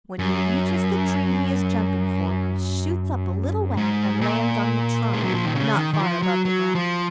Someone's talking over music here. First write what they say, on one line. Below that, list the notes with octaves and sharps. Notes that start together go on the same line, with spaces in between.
When he reaches the tree he is jumping for he shoots up a little way and lands on the trunk not far above the ground.
F#2
G#2
A#2
G#3
F#3
F3
D#3
C#3
D#3
D#3
F3
F#3
F#3
F3